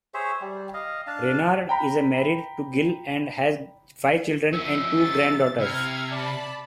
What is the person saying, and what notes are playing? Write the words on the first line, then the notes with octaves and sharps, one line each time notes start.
Reynard is married to Gill and has five children and two granddaughters.
G#4 C5 C#5 E5
G3
D#5 F5
D4 F5 A5
G5 A#5 B5
F3 C#4 E5
C3 A6
C3 E4 F6 G#6
D5 A5 B5